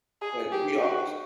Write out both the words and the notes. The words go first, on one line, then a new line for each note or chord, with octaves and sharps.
Like, be honest.
G#4
G4
F#4